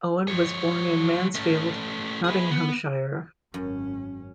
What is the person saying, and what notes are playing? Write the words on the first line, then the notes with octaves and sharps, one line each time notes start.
Owen was born in Mansfield, Nottinghamshire.
F3 C#5
A3 C#4
G#4 B4
B3
G#1 F#2 C#4